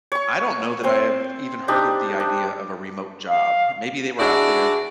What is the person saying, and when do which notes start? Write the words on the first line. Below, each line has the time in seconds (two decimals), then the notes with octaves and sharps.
I don't know that I have even heard of the idea of a remote job. Maybe they were out there,
0.12 C#5 C#6
0.83 C4 C5 C6
1.68 D4 D#4 G4 C6
2.20 D4
3.28 F5
4.20 D4 E4 F#4 G#4 D5